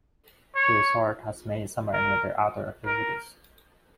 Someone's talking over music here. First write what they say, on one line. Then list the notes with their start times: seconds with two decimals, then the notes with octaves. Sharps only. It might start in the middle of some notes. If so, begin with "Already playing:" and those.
The resort has many summer and winter outdoor activities.
0.55 C#5
1.93 A#4
2.86 A#4